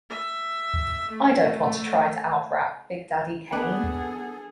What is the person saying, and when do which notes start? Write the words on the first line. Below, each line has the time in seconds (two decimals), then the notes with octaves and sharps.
I don't want to try to out-rap Big Daddy Kane.
0.10 E5
1.12 A3
3.52 B3 D4 G#4 A4 B4